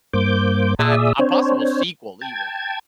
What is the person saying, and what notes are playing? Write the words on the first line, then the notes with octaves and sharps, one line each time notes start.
had a possible sequel even,
G2 A#3 C5 D6 G6
A#2 G#4 D5 E5 D#6 E6
C4 D4 C5 C#5
G5 A5 G#6